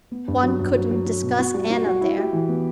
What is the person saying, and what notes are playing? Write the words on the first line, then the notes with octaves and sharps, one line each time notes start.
One couldn't discuss Anna there.
B3
G2
F#3
G2
F#3
F#3
F#3
B2
F#4
G3
F#4
F#4
E4
G4
E3
B3